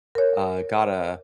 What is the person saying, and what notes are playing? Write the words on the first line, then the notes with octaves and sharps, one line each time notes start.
uh, got a
A#4 C#5